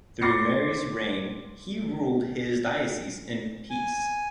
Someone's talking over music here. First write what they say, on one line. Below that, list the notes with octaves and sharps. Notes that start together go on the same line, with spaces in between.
Through Mary's reign he ruled his diocese in peace.
C6 D6 A6 A#6 C7 C#7
G#5